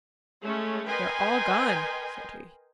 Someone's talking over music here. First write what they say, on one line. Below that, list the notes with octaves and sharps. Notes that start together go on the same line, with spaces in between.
"They're all gone," said he.
G#3 A3 C#4 C#5
A#4 B4 D#5 G5 G#5 C6